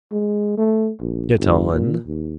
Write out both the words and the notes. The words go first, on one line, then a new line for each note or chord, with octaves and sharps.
Get on.
G#3
A3
A#1
G1
A#2
D#2